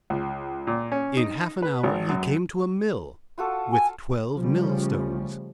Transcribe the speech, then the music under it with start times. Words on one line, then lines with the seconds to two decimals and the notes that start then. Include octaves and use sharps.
In half an hour he came to a mill, with twelve millstones.
0.10 C#2
0.67 A#2
0.92 C#4
1.17 D#4
1.62 B4
1.83 G#1
2.09 F#2
3.38 F4 F#4 A4
3.72 G#5
4.38 C#3 F3 G3 A3 C#4